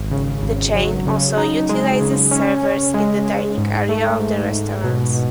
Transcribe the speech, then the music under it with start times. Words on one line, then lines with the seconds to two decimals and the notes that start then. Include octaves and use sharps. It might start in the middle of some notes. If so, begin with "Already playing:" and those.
The chain also utilizes servers in the dining area of the restaurants.
Already playing: G#1
0.11 C#3
0.43 G#1
0.75 F#3
1.07 C#3
1.37 D#4
1.69 G#3
2.01 C#3
2.31 C#4
2.63 C#4
2.94 G#3
3.26 G#3
3.58 G#2
3.89 A3
4.20 G#2
4.51 G#2
4.84 B2
5.14 B2